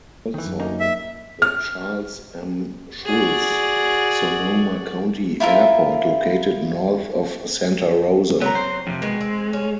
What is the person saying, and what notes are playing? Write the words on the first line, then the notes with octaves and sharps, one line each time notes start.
Also the Charles M. Schulz - Sonoma County Airport located north of Santa Rosa.
D#3 E3
F#2
A#3 C#4 D#4
E5
F6
F#4 G#4 D5
E4 F4 A#4 E5
F#3 B3 C4 A#5
C5
F2 C3
B2 D#3 G#3
C4
C#4